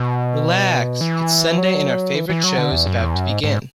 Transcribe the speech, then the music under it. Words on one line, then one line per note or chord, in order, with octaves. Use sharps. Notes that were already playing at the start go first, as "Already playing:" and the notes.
Relax! It's Sunday and our favorite show is about to begin!
Already playing: B2
E3
F#3
E3
E3
F#3
D3
E2
F#2
E2
F#2
G#2
G#2